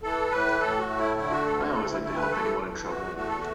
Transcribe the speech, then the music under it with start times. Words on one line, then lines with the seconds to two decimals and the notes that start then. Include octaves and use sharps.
I always like to help anyone in trouble.
0.03 E3 A4
0.31 A2 B4
0.60 A2 A4
0.79 F#4
0.88 A3
0.98 E4
1.17 D3 E4
1.31 F#4
1.46 D2 A4
1.60 F#4
1.73 D2 A4
1.89 E4
2.02 A3 E4
2.17 B4
2.31 E3 A4
2.60 E2
2.88 E2 F#4
3.16 A3 F#4
3.28 A4
3.39 F#4